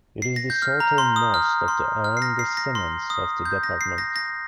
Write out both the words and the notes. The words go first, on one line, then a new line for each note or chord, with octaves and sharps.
It is the southernmost of the arrondissements of the department.
C7
A#6
G6
F6
A#5
C6
D#6
F6
C6
F6
C7
A#6
C7
A#6
C6
D#6
G6
A#6
C7
A#6
A#6